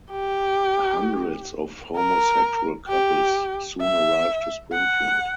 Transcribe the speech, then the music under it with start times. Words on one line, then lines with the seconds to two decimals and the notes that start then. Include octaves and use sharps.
Hundreds of homosexual couples soon arrive to Springfield.
0.11 G4
1.96 A#4
2.88 G4
3.81 E5
4.73 F#5